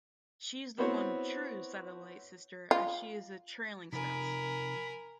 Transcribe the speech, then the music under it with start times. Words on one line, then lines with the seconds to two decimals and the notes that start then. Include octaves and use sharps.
She is the one "true" satellite sister as she is a "trailing spouse".
0.78 B3 C4 E4 F#4 C5 C#5
2.71 F4
3.93 C3 F3 D#4 A#4 G#5 B5